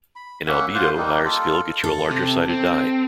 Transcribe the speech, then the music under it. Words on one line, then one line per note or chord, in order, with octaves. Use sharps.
In Albedo, higher skill gets you a larger sided die.
B5
A#3 C#4 E5 F#5
F4 C5 F5 F#5
G3 A#3 D#4
F4 A4
A4
C3
C4